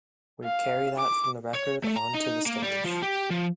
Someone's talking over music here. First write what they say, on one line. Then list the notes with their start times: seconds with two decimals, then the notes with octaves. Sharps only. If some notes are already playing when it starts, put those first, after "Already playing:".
We carry that from the record on to the stage.
0.44 F5
0.98 D6
1.54 C#5
1.84 A3
1.96 A#5
2.14 D#4
2.46 A#3
2.62 G3
2.84 F3
3.02 G4
3.30 F3